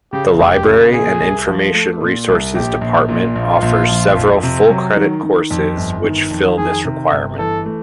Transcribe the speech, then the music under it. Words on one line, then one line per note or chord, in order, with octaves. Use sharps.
The Library and Information Resources Department offers several full-credit courses which fill this requirement.
C#3 G4
F1
G4
C#3
A#2 G#4
C2
F3
A3
A#2
C2
A#1 G4
A#1
A#2
A#1 F4
A#1
F3
F2
C3
F#3
D#3
D#3
F2
G1
D#3
F2
D#3 G#4
C3
G1
E3 A4
A3